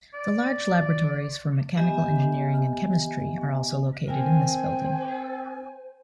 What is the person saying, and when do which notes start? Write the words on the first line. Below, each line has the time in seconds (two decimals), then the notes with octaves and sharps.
The large laboratories for Mechanical Engineering and Chemistry are also located in this building.
0.14 D5
1.77 B3 G4 D#5 E5 G#5
4.08 C4 A#4 C5 G5 G#5